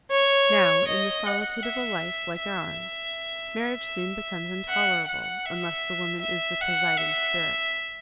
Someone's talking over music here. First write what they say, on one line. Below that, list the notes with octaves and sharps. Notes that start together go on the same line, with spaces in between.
Now, in the solitude of a life like ours, marriage soon becomes intolerable unless the woman is the presiding spirit.
C#5
D#5
F#5
E5
E5
F#5
F#5
E5
E5
F#5
E5